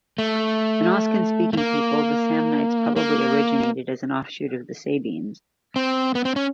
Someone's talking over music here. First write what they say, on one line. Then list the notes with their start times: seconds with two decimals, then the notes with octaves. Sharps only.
An Oscan-speaking people, the Samnites probably originated as an offshoot of the Sabines.
0.18 A3
1.53 A3
1.57 A#3
2.96 A#3
5.76 C4
6.15 B3
6.25 C4
6.36 C#4